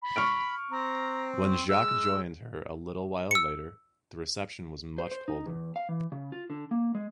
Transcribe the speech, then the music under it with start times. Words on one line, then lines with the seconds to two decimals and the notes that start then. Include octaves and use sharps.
When Jacques joined her a little while later, the reception was much colder.
0.02 B5
0.16 C#6 F6 D7
0.71 C4 A#5
1.69 G#3 E6
3.31 E6 C#7
4.98 C5
5.12 C5
5.28 D#4
5.46 E2
5.76 F5
5.89 E3
6.12 C#3
6.32 F4
6.50 D3
6.71 A#3
6.95 G#3